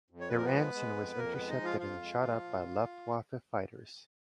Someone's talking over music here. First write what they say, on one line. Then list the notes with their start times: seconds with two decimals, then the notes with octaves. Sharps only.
Their Anson was intercepted and shot up by Luftwaffe fighters.
0.10 F2
0.21 C#5
0.29 F3 B4
0.37 A#4
0.44 B3 B4
0.52 G#3
0.74 G#3
0.96 F2
1.16 F2 A#3 A#4
1.33 B3 B4
1.39 G#3
1.48 D#4 D#5
1.59 F3
1.65 F4 F5
1.80 F2 F4 F5
2.02 G#3
2.24 F3
2.44 A#2